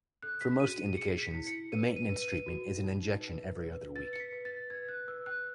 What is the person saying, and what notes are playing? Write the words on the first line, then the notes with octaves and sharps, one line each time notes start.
For most indications, the maintenance treatment is an injection every other week.
A4 F#6
B6
F#4 D#7
D#7
G#4 C#7
B6
E4
C#7
B4 D#7
D#7
B4
D#7
F#4
D#4
B4
B4
B4 A6
C#7
B6
B4
A6
B4 G#6
F#6
B4 E6
F#6